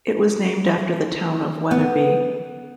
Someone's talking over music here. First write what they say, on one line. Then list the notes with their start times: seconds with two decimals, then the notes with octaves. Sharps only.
It was named after the town of Wetherby.
1.71 B3